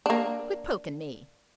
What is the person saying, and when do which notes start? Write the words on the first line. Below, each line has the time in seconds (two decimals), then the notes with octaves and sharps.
"Quit poking me!"
0.06 A#3 D4